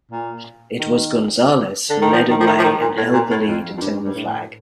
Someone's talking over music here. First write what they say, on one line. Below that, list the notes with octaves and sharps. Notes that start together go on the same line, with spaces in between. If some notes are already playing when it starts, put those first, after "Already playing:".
It was Gonzalez who led away and held the lead until the flag.
A#2
D#3
D3
D#3
F3
D#3
F3
D#3
F3
D#3
A#2
A2
A#2
A2
F2
F2
G2
G2
A2